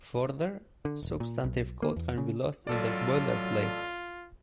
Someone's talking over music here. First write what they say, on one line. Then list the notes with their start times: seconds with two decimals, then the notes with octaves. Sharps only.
Further, substantive code can be lost in the boilerplate.
0.85 D3
1.03 D#1
1.20 A#2
1.44 B1
1.82 A#3
1.96 E2
2.18 C#3
2.67 A1 F#3 F4 A4 D5